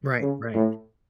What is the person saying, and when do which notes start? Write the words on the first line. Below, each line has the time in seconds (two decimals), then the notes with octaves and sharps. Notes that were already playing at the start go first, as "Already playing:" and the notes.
Right, right.
0.20 C#3
0.54 A2